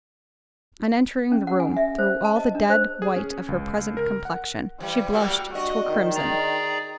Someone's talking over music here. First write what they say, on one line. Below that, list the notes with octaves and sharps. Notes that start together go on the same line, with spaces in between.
On entering the room, through all the dead white of her present complection, she blushed to a crimson.
C#4
F#5
G#5
E5
C5
A5
D#5
D4
C5
G#4
C#4
C#2
A#4
F#5
E3 G3
A3 A#3 F#4
D4 F#4 D#5
D#3
G#4 D5 A#5